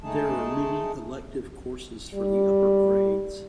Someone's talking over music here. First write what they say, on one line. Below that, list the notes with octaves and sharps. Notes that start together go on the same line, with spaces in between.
There are many elective courses for the upper grades.
G#3 A3 D#4 G#4 A5
G3